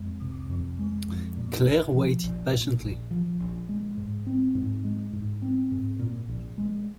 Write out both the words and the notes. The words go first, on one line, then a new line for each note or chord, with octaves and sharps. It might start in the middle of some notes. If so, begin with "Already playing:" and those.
Claire waited patiently.
Already playing: F2 G#3
C3
F2
G#3
F2
A#2
A#1
F3
A#1
A#2
A#1
F3
A#1
G#3
G#2
C4
G#2
G#3
G#2
C4
G#2
A#2
A#1
G#3